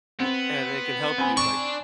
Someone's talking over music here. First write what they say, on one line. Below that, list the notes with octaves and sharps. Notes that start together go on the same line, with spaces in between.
and it can help you, like,
B3 C4
C4 G#5 B5
D4 D5 C#6